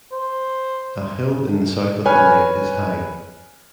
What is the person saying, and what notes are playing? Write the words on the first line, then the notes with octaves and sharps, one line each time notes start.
A hill in the south of the lake is high.
C5
B4 C#5 G#5 F6